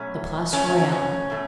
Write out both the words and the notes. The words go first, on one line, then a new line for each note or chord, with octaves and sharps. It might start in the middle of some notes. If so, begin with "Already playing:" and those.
The Place Royale.
Already playing: B2 F#3 A3 C#4
F#2 F#3 A3 C#4
C#4
C#4
C#4
B2 A3